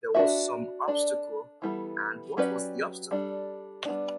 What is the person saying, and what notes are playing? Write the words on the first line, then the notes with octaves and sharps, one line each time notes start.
There was some obstacle; and what was the obstacle?
D4 F#4 B4 E5
D4 A4 D5
E3 G3 B3 E4 A4
F#3 C#4 G4 B4 D5
G3 D4 A4
G3 B3 D4